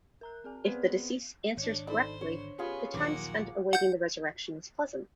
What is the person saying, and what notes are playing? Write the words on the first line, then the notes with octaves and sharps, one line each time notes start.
If the deceased answers correctly, the time spent awaiting the resurrection is pleasant.
A#4 A#5 F#6
C4 G#4 G#5
B3 C4 G#4 B4 D5
G#1 D4 C#5
D#4 A4 C5 D5 B5
D3 C#5
B3 C#4 F4 G4 G#4
A#1 D#2 F#3 A#3 F#5 D6
F#5 G6